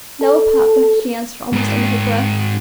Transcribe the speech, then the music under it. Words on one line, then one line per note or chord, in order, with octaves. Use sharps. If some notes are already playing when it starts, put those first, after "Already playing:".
"No, papa," she answered almost under her breath.
A4
G#2 A#4